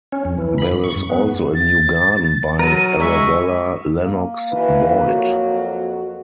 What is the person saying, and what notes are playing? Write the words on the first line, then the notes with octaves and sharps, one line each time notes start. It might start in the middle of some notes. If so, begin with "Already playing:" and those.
There is also a new garden by Arabella Lennox-Boyd.
C#4
F2
E3
B5
G2
C#6
F#2
B3
A6
F#3 A#4 D#7
G#3 E5 C#6
A#3
B2 D#3 E3 B4
F2 F#3 F#4 A#4